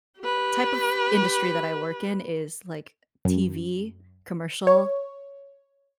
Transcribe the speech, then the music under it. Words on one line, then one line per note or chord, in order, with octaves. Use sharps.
type of industry that I work in is, like, TV commercial
G4 B4
F#2
C#5